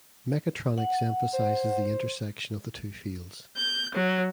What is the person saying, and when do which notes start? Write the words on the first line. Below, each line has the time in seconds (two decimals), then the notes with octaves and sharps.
Mechatronics emphasizes the intersection of the two fields.
0.78 F#5
1.34 C5
3.57 G6
3.94 F#3